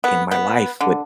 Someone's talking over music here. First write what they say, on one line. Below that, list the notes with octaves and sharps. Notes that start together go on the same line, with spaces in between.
in my life, what
B3
B3
D3